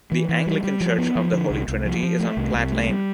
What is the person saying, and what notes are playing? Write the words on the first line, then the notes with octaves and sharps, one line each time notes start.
The Anglican Church of the Holy Trinity is on Platt Lane.
E3
E3
G3
G3
F3
B3
F3
D3
C2
C2
F3
F3
A3
C2
C2
A3
G3